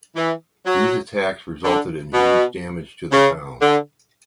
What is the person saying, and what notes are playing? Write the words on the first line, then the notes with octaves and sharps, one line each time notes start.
These attacks resulted in huge damage to the town.
E3
F#3
D3
B2
C#3
D3